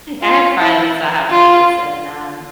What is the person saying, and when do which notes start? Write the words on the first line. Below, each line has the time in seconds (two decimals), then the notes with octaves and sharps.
I have friends that have maids, and, um
0.22 F4
0.59 E4
1.30 F4